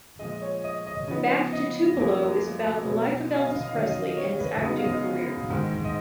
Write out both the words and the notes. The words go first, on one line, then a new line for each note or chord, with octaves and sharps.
"Back to Tupelo" is about the life of Elvis Presley and his acting career.
A#2 F3 G#3 D#5
D#5
C#5
D#5
D#5
C#3 F3 B3 D#4 D#5
D#5
F#2 F3 A#3
B2 F#3 B3
D#5
F5
D#5
F5
D#5
F5
D#3 F#3 C#4 D#5
F5
D#5
F5
D#5
C#5
B4
F#2 C#3 G#3 B3 D#4 D#5
F5
D#5
G#2 D#3 G#3
D#5